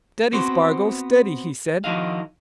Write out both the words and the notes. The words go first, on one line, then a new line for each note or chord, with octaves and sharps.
"Steady, Spargo, steady!" he said.
B3 C4 F#4 C5
D#3 F3 E4 F#4 D#5 F5